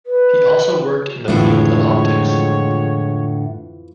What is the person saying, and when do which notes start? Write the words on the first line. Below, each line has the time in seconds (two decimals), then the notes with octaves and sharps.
He also worked in the field of optics.
0.07 B4
1.28 F2 A2 D3 E3 F3 G#3 C#5